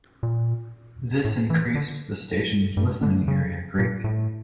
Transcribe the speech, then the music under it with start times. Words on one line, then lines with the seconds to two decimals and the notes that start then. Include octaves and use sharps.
This increased the station's listening area greatly.
0.23 A#2
1.25 A2
1.50 E3
1.75 D3
2.77 G2
3.03 D3
3.28 C#3
3.79 A#2
4.04 A2